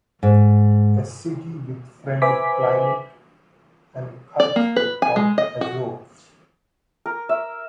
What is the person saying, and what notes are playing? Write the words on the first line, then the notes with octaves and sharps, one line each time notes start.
A city with friendly climate and culture of the Azores.
G#2
B4 C5 E5 G#5 D6 B6
D5
A#3
B4
G#5
G#3
D#5
F#4
A#4
E5